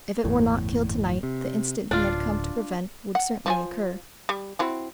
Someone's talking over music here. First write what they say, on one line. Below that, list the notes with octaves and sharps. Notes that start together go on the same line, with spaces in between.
If it were not killed tonight, the incident he had come to prevent would certainly occur.
G1 E2 A2
C3
D1 D4 F4
F#5
F3 F4 G#5
G3
C4 E4 F#4